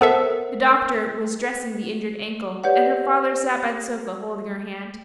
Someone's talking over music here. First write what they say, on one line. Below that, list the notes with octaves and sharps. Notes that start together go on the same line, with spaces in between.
The doctor was dressing the injured ankle, and her father sat by the sofa holding her hand.
B3 A4 A#4 C5 E5
G4 B4 C#5 D5 F#5